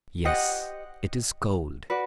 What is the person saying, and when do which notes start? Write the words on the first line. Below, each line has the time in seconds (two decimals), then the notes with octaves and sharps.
Yes, it is cold.
0.25 G4 C5 D#5 F#5
1.90 F#4 B4 D5